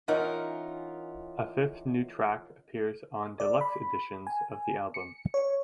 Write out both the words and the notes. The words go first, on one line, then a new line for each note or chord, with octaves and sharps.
A fifth new track appears on deluxe editions of the album.
E3 C#4 D#4 F4 A#4 F#5
D5
B5
G#5
C#7
C#5